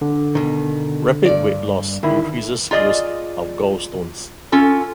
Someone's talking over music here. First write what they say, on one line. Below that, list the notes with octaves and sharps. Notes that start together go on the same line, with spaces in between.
Rapid weight loss increases risk of gallstones.
D3
B2 D#3
G2 D5
D3 D#3 E4
F4 G#4 D5 D#5
C#4 F4 A4